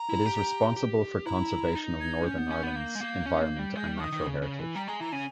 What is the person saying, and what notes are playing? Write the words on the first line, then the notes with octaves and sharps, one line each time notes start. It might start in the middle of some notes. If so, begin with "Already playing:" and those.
It is responsible for conservation of Northern Ireland's environment and natural heritage.
Already playing: A#5
E4
G4
G4
E4 A#5
D#4
G#6
C#4 G6
B3
C#4
B3
A#3
G#3
A#3
C#4
A#3
G3
G#3 G6
G3
C#6
D#3 D#6
D#3
C#3
C#3
E3
G3 A#5
G#3 A#5
E3 A#5
C#3 G#5